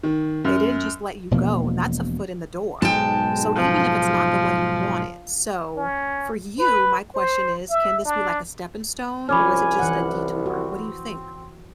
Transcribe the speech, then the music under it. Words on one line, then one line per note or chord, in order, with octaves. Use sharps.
they didn't just let you go, and that's a foot in the door. So, even if it's not the one you wanted, so for you, my question is, can this be like a stepping stone? Or is it just a detour? What do you think?
D#3
F#2
E1 B2 F3 A#3
B1 G#2 G#3 G5 A5
F3
C#4
B4
C5
E5
D4
C2 F3 C#4 C#5 G#5 B5 D6 F6
E3 F#5
C4 F#4